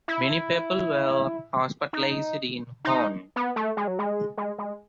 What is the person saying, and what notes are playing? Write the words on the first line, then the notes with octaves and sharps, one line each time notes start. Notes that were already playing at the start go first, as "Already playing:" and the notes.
Many people were hospitalized in Hoorn.
E4
D#4
D#4
B3
A3
G#3
F#3
G#3
G#3
G#3